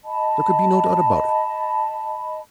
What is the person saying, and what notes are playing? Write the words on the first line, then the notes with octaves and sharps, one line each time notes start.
There could be no doubt about it.
D#5 A5 B5